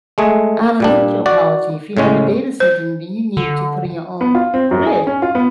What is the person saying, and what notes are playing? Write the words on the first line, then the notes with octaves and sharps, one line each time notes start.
I don't need your apology. If you have a data center, then you need to put in your own grid,
G#3 A3 G#4
A#2 G3 D4
F#4 D5
A2 C#3 G#3 C#4
C5
D3
B3
F4
C4
F#2
G#4
C#4
F4
B3